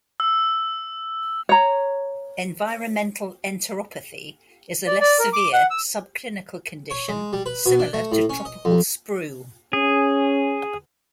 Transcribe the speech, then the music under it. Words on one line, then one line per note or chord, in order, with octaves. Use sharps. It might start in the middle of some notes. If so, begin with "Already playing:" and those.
Environmental enteropathy is a less severe, subclinical condition similar to tropical sprue.
E6
C#5 A#5
D5
D5
A#4
D6
F#5
E6
C#5
G#3
G3
B4
B2
D4
A3
A2
C#4
D#5
F2
C#4 G#4